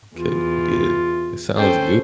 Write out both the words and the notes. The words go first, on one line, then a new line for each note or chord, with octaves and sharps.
Okay, good. That sounds good,
E2 F4
C#4 A4 C5 G5